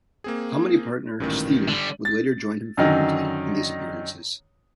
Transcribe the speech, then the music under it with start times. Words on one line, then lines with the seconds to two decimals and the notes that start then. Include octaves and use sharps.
Comedy partner Steen would later join him frequently in these appearances.
0.24 A#3 C4 G#4
1.20 A1 G2 A#2 D#3
1.69 D3 G3
2.05 A6
2.77 F#2 D3 D#3 F#3 D#4